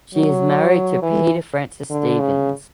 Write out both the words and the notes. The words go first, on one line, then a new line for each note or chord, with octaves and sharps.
She is married to Peter Francis Stevens.
F#3
E3
D3
C#3